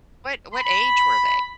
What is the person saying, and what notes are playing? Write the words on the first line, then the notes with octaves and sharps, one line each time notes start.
What what age were they?
B5